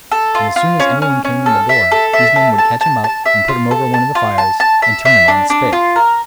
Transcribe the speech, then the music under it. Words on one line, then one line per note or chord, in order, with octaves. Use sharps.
And as soon as anyone came in the door, these men would catch him up and put him over one of the fires, and turn him on a spit.
A4
F4
F4
C#4
C#4
C#4
A4
E5
A4
E5
A4
A5
A5
A5
E5
F4
A4
A5
F4
A5
A5
E5
E5
D4
D4
F4
A#4